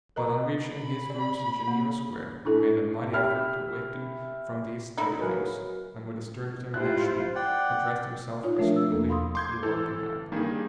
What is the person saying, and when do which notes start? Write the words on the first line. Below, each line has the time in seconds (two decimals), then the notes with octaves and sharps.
But on reaching his rooms in Geneva Square he made a mighty effort to waken from these day dreams, and with a stern determination addressed himself resolutely to the work in hand.
0.16 A#4 D#5 A#5
0.67 B5
1.10 D5
1.68 A#3
2.45 D4 E4 A4
3.13 G4 E5 B5 F6
4.97 D#4 E4
5.19 F#3 F#4 G#4 A#4 B4 F5
6.74 E4 F4 G4 C5 F#6
7.35 D5 F#5 G5
8.44 D#4 F4 C#5
8.58 F3 A3 D4 A#4 E5
8.76 E6
8.91 E2 A#3 A4
9.09 F5 B5 C6 D#6
9.35 C6 D6 G6 G#6
9.63 E3 A4
10.32 G2 D#3 A#3 G#4